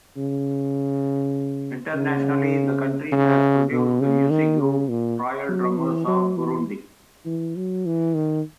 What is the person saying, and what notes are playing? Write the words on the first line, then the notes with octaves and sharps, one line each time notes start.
Internationally, the country has produced the music group Royal Drummers of Burundi.
C#3
C#3
C#3
B2
C#3
D#3
C#3
A#2
F#3
E3
F#3
E3
E3
F#3
E3
D#3